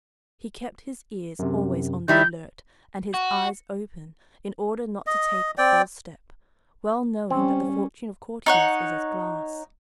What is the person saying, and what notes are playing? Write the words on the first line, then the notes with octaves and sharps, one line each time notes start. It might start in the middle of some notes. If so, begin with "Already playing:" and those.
He kept his ears always on the alert and his eyes open in order not to take a false step, well knowing that the fortune of courtiers is as glass.
F#2 C3
D#3 G3 E4 G6
F#4
D#5
C4 D5 G5
G3 C4 C#4
D#4 C#5 F#5